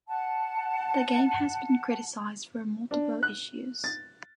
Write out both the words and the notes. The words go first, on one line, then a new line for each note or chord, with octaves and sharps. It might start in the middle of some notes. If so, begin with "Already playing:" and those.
The game has been criticized for multiple issues.
F#5 A5
D4
F#6
A6